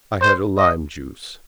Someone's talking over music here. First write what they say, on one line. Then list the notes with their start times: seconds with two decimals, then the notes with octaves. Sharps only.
I had a lime juice.
0.21 C5
0.58 D#5